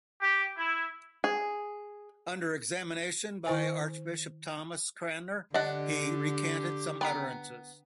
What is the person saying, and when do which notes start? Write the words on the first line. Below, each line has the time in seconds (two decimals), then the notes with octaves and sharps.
Under examination by Archbishop Thomas Cranmer he recanted some utterances.
0.22 G4
0.57 E4
1.24 G#4
3.46 D#3 E4 C5 G#5
5.54 D3 D4 G4 D5 D#5 F#5
7.01 B3 G5 A#5 B6